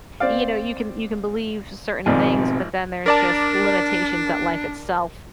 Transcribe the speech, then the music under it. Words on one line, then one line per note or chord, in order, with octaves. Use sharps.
you know, you can you can believe certain things, but then there's just limitations that life itself
C4 D5 F5
G#1 B2 F3 C4 D5 G#5
D4 A#4 D5 A5